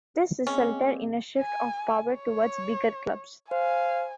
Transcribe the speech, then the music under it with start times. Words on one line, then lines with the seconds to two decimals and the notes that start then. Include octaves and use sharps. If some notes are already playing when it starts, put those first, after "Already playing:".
This resulted in a shift of power towards bigger clubs.
0.47 G#3 A#3 C4 C#4
1.38 G#5
2.15 C#5
3.51 C5 F5 G#5